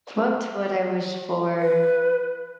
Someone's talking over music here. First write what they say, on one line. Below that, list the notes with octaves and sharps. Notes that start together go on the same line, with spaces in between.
what would I wish for?
B4